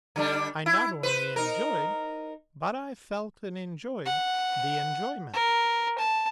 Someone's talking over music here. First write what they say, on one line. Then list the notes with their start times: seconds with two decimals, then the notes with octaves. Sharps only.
I not only enjoyed, but I felt and enjoyed the enjoyment.
0.16 D3 G3 D4
0.66 E4
1.03 B4 C5
1.36 D#4 A#4
4.06 F#5
5.34 A#4
5.98 A5